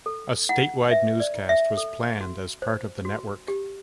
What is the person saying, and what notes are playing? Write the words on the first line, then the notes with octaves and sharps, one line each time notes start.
A statewide newscast was planned as part of the network.
A4
E4 F#5
B4 E5
D5
E4
E5
A4
F#4
C5
F#4
G4